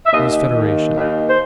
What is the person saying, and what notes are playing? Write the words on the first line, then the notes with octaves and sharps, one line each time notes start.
It was Federation.
E5
D#2 D#3 D#5
D#5
D#2 D#3
D#2 D#3
C5